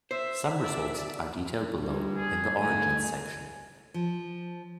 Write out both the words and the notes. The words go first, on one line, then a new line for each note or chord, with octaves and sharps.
Some results are detailed below in the 'Origins' section.
C5 E5
D5 E5
G2 G3
G#4
G#2 D3 A3 G#5
F3